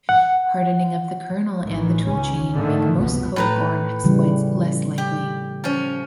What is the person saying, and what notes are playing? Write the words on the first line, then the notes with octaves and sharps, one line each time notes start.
Hardening of the kernel and the toolchain make most code born exploits less likely.
F#5
A1 D#3 E3
C#2 C#4
G#2 D3 D#3 A3
F1 C#2 G2 B2 F3 B3
A2 B4 A#5
C#3 E3 G3
G4
F3 C#4